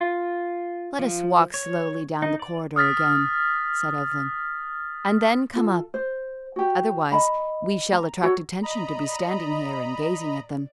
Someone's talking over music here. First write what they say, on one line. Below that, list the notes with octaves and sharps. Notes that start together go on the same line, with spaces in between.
"Let us walk slowly down the corridor again," said Evelyn, "and then come up; otherwise we shall attract attention to be standing here and gazing at them."
F4
F3
C#5
D#4
D5
D#6 F6 A6 B6
F4 A4
C5
F#4 G4
D#5 A#5 B5
A#5
F#4 A4 C#5 A#5
D5 D#5 A#5 B5